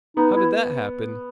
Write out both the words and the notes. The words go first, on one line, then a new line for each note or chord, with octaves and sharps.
"How did that happen?"
B3 D#4
E4